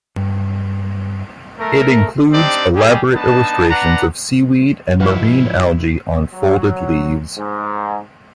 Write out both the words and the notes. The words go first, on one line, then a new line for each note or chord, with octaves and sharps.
It includes elaborate illustrations of seaweed and marine algae on folded leaves.
G2
A3 A#4
C4 D4 D#4 G4 D5
G3 G4 G#4
B3 D4 D#4 A5
D4 B4 F#5 A#5
G#2 C#3 F3 D#4 E4 F#4 B4 F5
F#3
G#2